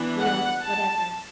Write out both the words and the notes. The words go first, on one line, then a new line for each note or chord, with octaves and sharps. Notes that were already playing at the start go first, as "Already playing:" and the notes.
you know, whatever.
Already playing: E3 B3 D4
F#5
A5